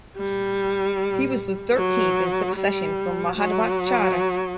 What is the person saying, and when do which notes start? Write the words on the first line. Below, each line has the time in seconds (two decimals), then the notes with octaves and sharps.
He was the thirteenth in succession from Madhvacharya.
0.17 G3
1.77 F#3
2.57 G3
3.37 F#3